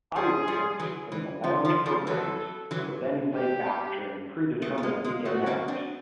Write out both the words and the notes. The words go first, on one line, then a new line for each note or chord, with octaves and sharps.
Audio clips from the Lounge programs were then played back during predetermined weekend hours.
F3 G3 G#4
F3 G3
E3 F#3
E3
F3
F3
F3
E3 F#3 A4
E3 F#3
G4
A3 B3
B3
G#3 A#3
G#3 A#3
A3 B3 F#4
A#3 C4
C4 D4